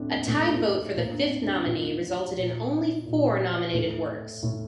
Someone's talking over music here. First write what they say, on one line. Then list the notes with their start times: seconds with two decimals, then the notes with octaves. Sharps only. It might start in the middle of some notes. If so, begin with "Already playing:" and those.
A tied vote for the fifth nominee resulted in only four nominated works.
Already playing: A2 A3 C4 D4
0.10 A#3
0.27 A2 A3
0.96 A2 A#3
1.11 D4
1.20 C4
1.43 D4
1.65 A2 F4
2.35 A#2
3.05 A#2
3.73 A2 A4
4.43 A2